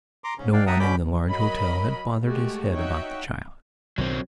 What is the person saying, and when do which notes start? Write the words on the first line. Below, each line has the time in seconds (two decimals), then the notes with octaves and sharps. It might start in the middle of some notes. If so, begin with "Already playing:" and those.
No one in the large hotel had bothered his head about the child.
0.24 A#5 C6 D6
0.38 G#2 C#3 C#4
0.53 D4 D5 F5 G5
0.67 E5 F#5 G5 A5 A#5 D#6
0.80 B2 D3 C#4 B5 D6 G6
1.28 F#3 A#4 D#5 B5
2.24 G#3 A3 F#4 G4
2.74 D#4 F#4 C#5 E5 F#5 G5
3.98 B1 D#3 F#3 C4